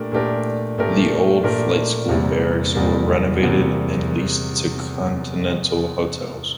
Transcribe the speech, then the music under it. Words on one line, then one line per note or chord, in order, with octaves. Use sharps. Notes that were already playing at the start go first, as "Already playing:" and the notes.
The old flight school barracks were renovated and leased to Continental Hotels.
Already playing: A#2 A3 D4 G4 A#4
A#2 A3 D4 G4 A#4
A#2 A3 D4 G4 A#4
A#2 A3 D4 G4 A#4
E2 C3 G3 A#3
E2 C3 G3 A#3
E2 C3 G3 A#3